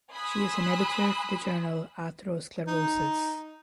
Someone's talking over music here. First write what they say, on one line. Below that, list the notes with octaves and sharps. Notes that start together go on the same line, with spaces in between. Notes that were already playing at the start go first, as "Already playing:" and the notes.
She is an editor for the journal Atherosclerosis.
G#5 B5 C6 D#6 E6 F#6
D#4